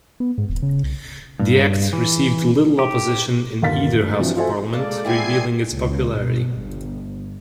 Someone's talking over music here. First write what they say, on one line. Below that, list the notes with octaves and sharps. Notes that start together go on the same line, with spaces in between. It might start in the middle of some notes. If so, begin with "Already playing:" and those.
The Act received little opposition in either House of Parliament - revealing its popularity.
B3
G#2
D#1
C#3
C2
G2
E3
G4
G1 D#2 A#3 F5 A6 B6
A2
G2 D3 E3 F3 C4 F#4
F4 F#4 A4 C5 E5 G#5
G#3 A#3 A4 D5 A5
E3 B3 C4 G#5 G#6 C7
C#2
B2
G1